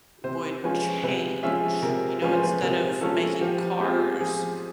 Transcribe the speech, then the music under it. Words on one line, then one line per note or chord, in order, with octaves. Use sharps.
would change. You know, instead of making cars
C3 C5
F3 G#3 C#4 F4 B4
C3 B4
F3 G#3 C#4 F4 E5
C3 A#4
F3 G#3 C#4 F4 B4
C5
B4
C3 A#4
F3 G#3 C#4 F4 A4
F3 G4
G#3 C4 F4 G4
F3 G#4